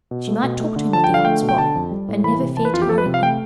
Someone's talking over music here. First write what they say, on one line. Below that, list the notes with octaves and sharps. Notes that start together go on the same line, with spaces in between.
She might talk to him of the old spot, and never fear tiring him.
B2
A3
B2
A3
D3
F3 A5
G5
D3 F5
A3 G5
B2
G5
D3 A5
F2
G3
A2
E3 B5
C3
E3 A5
B4
F2 F4
G4
F3 A4
B4
C3
F5
A3 G5